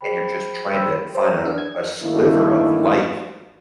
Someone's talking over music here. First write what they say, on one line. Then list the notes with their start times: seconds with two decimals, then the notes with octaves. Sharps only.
and you're just trying to find a a sliver of light
0.01 G#4 C5 G5 B5
0.72 B4 C5 G5 B5 C6 E6
1.15 C5
1.29 A#5
1.45 D4
1.58 G#6
2.02 G2 D#3 A3 A#3 D4 E4